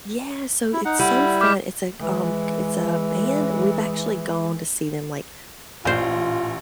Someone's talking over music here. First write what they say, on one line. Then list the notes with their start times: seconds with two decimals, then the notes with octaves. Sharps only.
Yeah, so it's so fun, it's like, um, it's a band. We've actually gone to see them like
0.73 E4
0.85 D#4 F#5
0.99 G3 E4 F#5
1.41 D6 F6 G6 B6
2.00 E3 G#3
5.85 A1 A#2 F4 C5